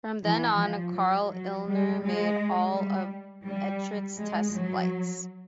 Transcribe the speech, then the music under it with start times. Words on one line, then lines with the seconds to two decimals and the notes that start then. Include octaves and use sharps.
From then on, Karl Illner made all of Etrich's test flights.
0.23 E3
0.58 F3
0.94 F#3
1.30 F#3
1.67 G3
2.02 G#3
2.73 G3
3.45 G3
4.17 G#3
4.52 F#3